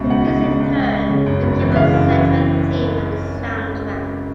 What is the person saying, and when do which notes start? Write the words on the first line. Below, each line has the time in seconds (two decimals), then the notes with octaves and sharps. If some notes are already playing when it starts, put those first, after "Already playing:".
The piece, in turn, became a central theme on the soundtrack.
Already playing: C#2 B2 E5
0.10 C#2 F#5
0.27 C#2
0.43 C#2
0.60 C#2
0.76 C#2
0.93 C#2
1.10 C#3
1.26 F#2
1.43 G#1
1.60 E3
1.72 E5
1.76 C#3 F5
1.94 F#2
2.10 E3